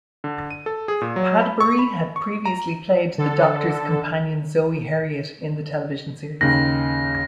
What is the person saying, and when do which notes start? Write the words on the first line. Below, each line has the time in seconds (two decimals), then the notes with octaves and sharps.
Padbury had previously played the Doctor's companion Zoe Herriot in the television series.
0.24 D3
0.51 D#7
0.66 A4
0.88 G#4
1.01 A#2
1.16 F#3
1.41 B5
1.60 C#6
1.79 B5
2.16 C#6
2.46 A#5
3.18 D3 A4
6.41 D#2 C#3 A#6